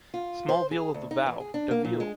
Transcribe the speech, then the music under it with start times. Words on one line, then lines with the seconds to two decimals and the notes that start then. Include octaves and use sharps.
Small Veal of the Vau... deville!
0.14 F4
0.49 C5
0.71 G#4
0.94 D2
1.11 D#4
1.26 E3
1.40 G#4
1.54 D4
1.71 A#3
1.85 A#2
2.00 G#3